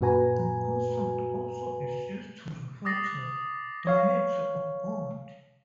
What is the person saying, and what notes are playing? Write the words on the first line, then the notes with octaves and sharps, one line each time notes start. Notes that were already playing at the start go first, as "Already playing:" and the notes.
The concept also is used to refer to deity or god.
F#2 A#2 F#4 B4 G#5 A#5
D6 D#6 A6 A#6 C7
C#5 F5